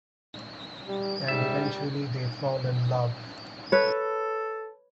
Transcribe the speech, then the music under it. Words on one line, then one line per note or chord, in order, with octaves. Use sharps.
And eventually they fall in love.
G3
G#2 G3 E5
A4 B4 C#5